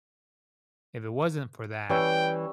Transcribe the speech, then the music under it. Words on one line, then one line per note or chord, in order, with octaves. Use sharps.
if it wasn't for that,
E3 G3 C#4 E5 G5